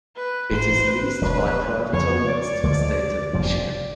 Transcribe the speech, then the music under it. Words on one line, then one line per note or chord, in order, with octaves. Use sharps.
It is leased by private owners to the state of Michigan.
B4
A1 G#2 E3 C5
B4
E1 D2 D3 F#3 B4
F2 C#3 F3 C#5
D5
D2 D3 F3 G#3
F#1 F2 C3 F3 D5